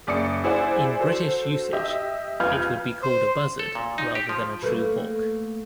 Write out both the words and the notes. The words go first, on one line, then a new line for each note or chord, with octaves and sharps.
In British usage, it would be called a buzzard rather than a true hawk.
F#1 D5 D#6 C#7
E4 G#4 C5 D5 F#5
F#4 A4 C5
G4 D#5 E5
F2 B4 F5 F6 G6 G#6
C5
A4
A#2
D#4
G4
F3
A3 A#3 B4